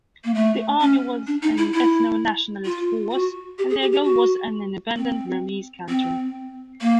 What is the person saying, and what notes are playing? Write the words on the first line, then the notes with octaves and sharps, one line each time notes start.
The army was an ethno-nationalist force and their goal was an independent Burmese country.
A#3
A3
C#4
D4
D#4
E4
E4
F4
F#4
G4
G#4
G4
G4
F#4
C4
C4
A#3